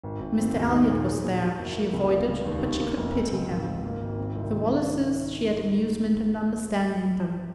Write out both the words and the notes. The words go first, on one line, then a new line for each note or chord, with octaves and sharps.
Mr Elliot was there; she avoided, but she could pity him. The Wallises, she had amusement in understanding them.
G#1
G#1
C4
D#2
D#4
A#2
G#4
A#2
F#3
F#1
A#3
C#2
C#2
C#2
D#2
D#2
A#3
F1
C4
C#2
G#1
G#1
A#3
G#1
C4
C2
D#3